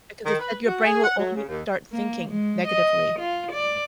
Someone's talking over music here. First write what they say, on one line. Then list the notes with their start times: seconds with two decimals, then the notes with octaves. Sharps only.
Because it said your brain will only start thinking negatively,
0.24 D#3
0.39 B4
0.65 F#4
0.84 G#4
1.04 F#5
1.18 F#3
1.36 C#3
1.48 D#2
1.91 A#3
2.28 G#3
2.67 D#5
3.19 F4
3.52 D5